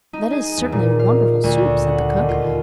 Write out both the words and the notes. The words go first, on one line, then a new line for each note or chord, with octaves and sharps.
'That is certainly wonderful soup!' said the cook.
D#4
G#4
E2
A#2
F5
D2
F#5
D#2
F4